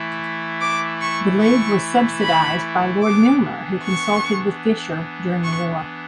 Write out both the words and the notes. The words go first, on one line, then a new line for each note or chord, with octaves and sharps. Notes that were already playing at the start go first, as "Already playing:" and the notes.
The League was subsidised by Lord Milner, who consulted with Fisher during the war.
Already playing: E3 A3 E4
D6
C#6
C#6
B5
E3 B3 D4 D6
C#6
C#6